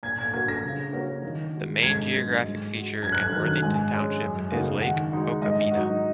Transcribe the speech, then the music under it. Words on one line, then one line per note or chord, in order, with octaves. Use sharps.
The main geographic feature in Worthington Township is Lake Okabena.
A#2 G#6
G#6
A#3 F#4 G#6
A#6
C#3
A#3 C#4 F#4
D#3
G#3 F#4
G#2 G#6
F#3 A#3
G#2
G#3 F#4
F#2 G#6
F#6
G#6
D#3 F#3 F#6
F#6
G#2 G#5
G#3 C#4
F#2
C#3 A#3 D#4 F#4
D#3 F#5
G#3 D#4 F#4
G#2 D#5
F#3 D#4 F#4